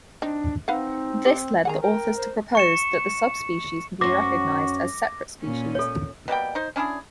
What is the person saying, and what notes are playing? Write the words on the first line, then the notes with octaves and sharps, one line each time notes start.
This led the authors to propose that the subspecies be recognised as separate species.
C4 D4 D#4
C4 D#4 B4 F5 F#5
G4
D#3 G#4 F#5 G#5 A#5
A#4 G5
C5
C#6 C#7 E7
F#2 C#4 F#4 C5 D6 A#6
A#2 C#4
A4 C#5
B2 G3 A#3 G5
D#4 C5
C#4 D4 E4 G#4